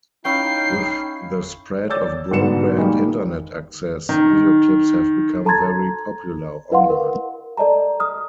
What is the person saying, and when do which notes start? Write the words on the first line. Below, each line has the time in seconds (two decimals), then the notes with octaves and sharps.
With the spread of broadband Internet access, video clips have become very popular online.
0.25 C#4 D#4 E4 F5 G5 C7
1.90 C#5 D5 D6 E6 G6 A6
2.31 G#2 B2 D3 B4 C#7 E7
2.77 D#3 G3 G#3 A#3 D#4
4.09 D#3
5.45 A4 A5 A#5 C6 G#6 A6
6.71 E4 B4 D#5 F5 F#5 C6
6.90 A#4
7.57 A4 D5 D#5 A5 A#5
8.00 D#6 F6